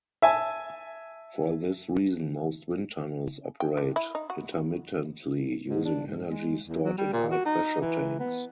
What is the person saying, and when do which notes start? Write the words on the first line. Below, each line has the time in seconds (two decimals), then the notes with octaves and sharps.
For this reason most wind tunnels operate intermittently using energy stored in high-pressure tanks.
0.22 E5 G#5 A5
3.60 G5
3.77 D3
3.96 E4
4.15 D#4
4.30 F#4
5.69 G#2
5.85 D4
6.07 G#2
6.30 G#3
6.66 E2
6.84 F#3
6.98 G3
7.13 A#2
7.31 F#4
7.45 D#4
7.81 E3
8.19 B3